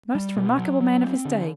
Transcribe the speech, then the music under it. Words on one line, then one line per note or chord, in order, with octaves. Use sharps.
Most remarkable man of his day.
G3
B2
F#3
F#3
C4
D3